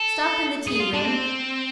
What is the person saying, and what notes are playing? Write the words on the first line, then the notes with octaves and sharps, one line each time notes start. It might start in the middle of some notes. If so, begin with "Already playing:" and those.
'Stop in the tea-room.
Already playing: A4
G#4
F4
D4
C4